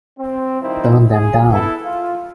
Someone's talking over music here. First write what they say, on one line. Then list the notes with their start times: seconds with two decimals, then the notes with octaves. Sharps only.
Turn them down!
0.19 C4
0.61 D#3 F3 G3 C4 D#4 E4
1.10 G#4
1.51 B3 E4 A4
1.84 F4